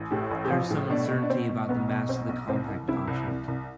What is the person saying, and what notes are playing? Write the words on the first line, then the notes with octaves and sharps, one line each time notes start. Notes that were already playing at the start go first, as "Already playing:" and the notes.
There is some uncertainty about the mass of the compact object.
Already playing: A1
A2 G4
A1
G4
F3 F4
A2
B2 D4
B2
D4
B2 C4
B2
B1 B3
B2
B1 C4
B1
C2 C4
C2
C3 E4
C2
C2
C2